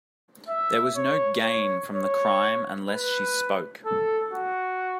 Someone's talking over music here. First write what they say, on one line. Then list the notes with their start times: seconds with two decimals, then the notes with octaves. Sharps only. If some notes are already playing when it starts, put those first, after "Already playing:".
There was no gain from the crime unless she spoke.
0.48 E5
0.96 C#5
1.44 C#5
1.93 C#5
2.89 B4
3.85 A4
4.33 F#4